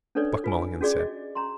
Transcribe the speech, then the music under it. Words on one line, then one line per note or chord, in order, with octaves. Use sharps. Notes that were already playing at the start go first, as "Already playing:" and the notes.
Buck Mulligan said.
C#4 D4 A4 B4 C#5 D5
F4 B4 G#5
C#4 F#4 G#4 D5 D6
D#5
C#4 A#5 C6